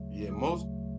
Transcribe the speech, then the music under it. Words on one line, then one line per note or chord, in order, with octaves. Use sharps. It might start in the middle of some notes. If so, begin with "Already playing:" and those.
Yeah, most
Already playing: D2 C#3 F#3 A3
G#4